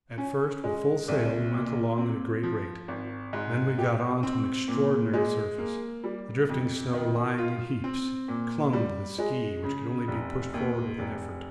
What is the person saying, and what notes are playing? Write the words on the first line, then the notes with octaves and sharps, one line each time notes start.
At first with full sail we went along at a great rate; then we got on to an extraordinary surface, the drifting snow lying in heaps; it clung to the ski, which could only be pushed forward with an effort.
C#4
G#3
C2
A#2
C4
F3
G#1
G#2
G4
C4
A#2
G#3
A#3
G3
F2
D#3
F4
C4
A#2
G3
G#3
C#3
F1
D#2
F1